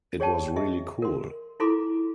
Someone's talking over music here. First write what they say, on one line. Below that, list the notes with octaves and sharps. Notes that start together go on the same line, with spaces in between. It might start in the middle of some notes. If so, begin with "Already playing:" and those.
It was really cool.
G#4 C#5 D5 G5 A5
G#4 D#5 E5
A#4 C6
E4 F4 A4 A#5 C6 D6